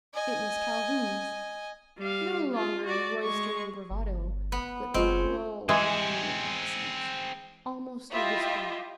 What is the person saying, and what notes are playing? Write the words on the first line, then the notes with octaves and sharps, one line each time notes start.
It was Calhoun's--no longer in roistering bravado, but in low whining accents, almost a whisper.
D#5 G#5
G3 F5
F4
F#4 D5
G#3 C#6
G1
B3
F#1 C4 C#4 F4 D#5
E3 G#3 C4 G#4
E4 F4 G4 D#5 E5